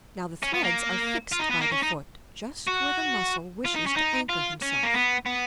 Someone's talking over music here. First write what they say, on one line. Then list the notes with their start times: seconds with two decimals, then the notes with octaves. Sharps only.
Now the threads are fixed by the foot, just where the Mussel wishes to anchor himself.
0.43 C#4
0.54 B3
0.64 A#3
1.32 F4
1.39 D#4
1.50 B3
1.60 A#3
1.72 C#4
1.83 D#4
2.68 F#4
3.65 F4
3.76 D#4
3.87 C#4
3.97 D#4
4.29 F4
4.62 C#4
4.83 A#3
4.94 B3
5.26 B3